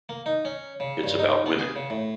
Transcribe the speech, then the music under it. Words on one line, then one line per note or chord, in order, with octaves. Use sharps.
It's about women.
A#3
D#4
C#4
C#3
G2
D#4
B3
G#4
C#3
A2